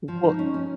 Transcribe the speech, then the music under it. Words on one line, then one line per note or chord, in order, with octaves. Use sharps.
Mm, well
F3
D#4
C#4
C#4